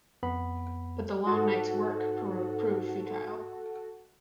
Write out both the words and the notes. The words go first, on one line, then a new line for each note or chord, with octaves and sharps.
But the long night's work proved futile.
F2 B3 B5
G#2 F#4 A4